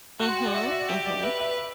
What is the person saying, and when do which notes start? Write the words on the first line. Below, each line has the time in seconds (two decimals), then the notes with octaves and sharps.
Mhm, mhm.
0.20 F#4 F#6
0.28 C6
0.37 G5
0.46 D5
0.54 F#4 E5
0.63 D5
0.71 E5
0.80 D5
0.88 G4 E5
1.05 D5
1.23 B4 E5
1.40 E5
1.57 E5